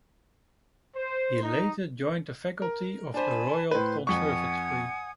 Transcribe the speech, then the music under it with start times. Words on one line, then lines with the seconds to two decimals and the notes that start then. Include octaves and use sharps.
He later joined the faculty of the Royal Conservatory.
0.95 C5
1.42 D#4
2.62 A#4
3.14 D4 C5 G#5 A5 B5
3.71 A2 B4 C5
4.07 F2 F#5 G#5 C#6 D#6